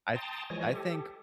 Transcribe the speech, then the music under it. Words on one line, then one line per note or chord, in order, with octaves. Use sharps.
I th I think
G5 A5 A#5 C6 D#6 A6
E3 F3 G#3 C#5 G#5 A#6
G4 A4